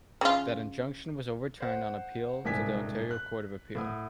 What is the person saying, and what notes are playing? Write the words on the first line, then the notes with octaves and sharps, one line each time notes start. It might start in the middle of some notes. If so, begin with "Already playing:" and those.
That injunction was overturned on appeal to the Ontario Court of Appeal.
C#3 F4
C5 F#5
D#1 C2 G#2 G#5 B6
F#6
A2 F#5 D#6